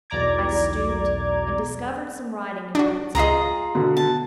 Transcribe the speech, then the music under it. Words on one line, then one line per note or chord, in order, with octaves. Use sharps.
I stooped, and discovered some writing in pencil.
B1 E2 D5 A#5 D6 G#6
D4 F#4
C#2 F4 G#4 D#5 A#5
B2 D3
A5